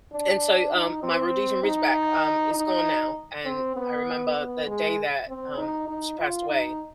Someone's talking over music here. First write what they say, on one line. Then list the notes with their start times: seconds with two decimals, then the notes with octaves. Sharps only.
and so um, my Rhodesian Ridgeback, um, is gone now, and I remember the day that, um, she passed away.
0.13 D4
0.73 D#4
1.03 C4
1.64 D#4
2.54 D#4
3.45 C4
3.77 B3
4.36 B3
4.67 G#3
5.28 C4
5.58 D#4
5.88 D#4
6.19 F4
6.49 D#4